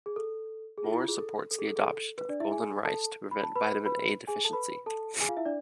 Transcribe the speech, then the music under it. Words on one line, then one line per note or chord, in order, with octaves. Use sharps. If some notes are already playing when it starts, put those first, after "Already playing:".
Moore supports the adoption of golden rice to prevent vitamin A deficiency.
G#4
A4
G#4
F4
E4
F4
G#4
A4
A4
G#4
A4
G#4
A4
B4
D4 D5
E4 E5
G#4 G#5
A4 A5
B5
A5
B4 B5
B4 B5
G#4 G#5
A4 A5
B4 B5
A4 A5
G#4 G#5
F4 F5
E4 E5
D4 D5